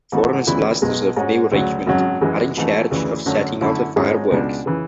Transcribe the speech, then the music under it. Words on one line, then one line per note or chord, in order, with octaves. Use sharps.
Forman's Blasters,of New Richmond, are in charge of setting off the fireworks.
G#2 E3 B3 F#4 A4
D2 C#3 E3 B3 E4
B1 B2 G#3
G#2 G#3 C#4 F#4
D2 C#3 F#3
G#1 F#2 C#3 F#3
F#2 E3 G#3
G#1 G#2 E3 A3
D2 C#3 E3
F#2 D3 A3 C#4
F#2 D3 A3 E4
G#1 G#2 G#3 C#4
C#2 B2 G#3 D4
C#3 E3